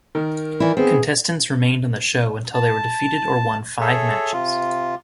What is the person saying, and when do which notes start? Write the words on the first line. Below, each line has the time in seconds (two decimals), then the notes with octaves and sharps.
Contestants remained on the show until they were defeated or won five matches.
0.15 D#3 A#4
0.60 E3 E4 D5
0.77 B3 C4 G#4
2.54 A5
3.81 G#4 A4 C#5 E5
4.33 C3 F4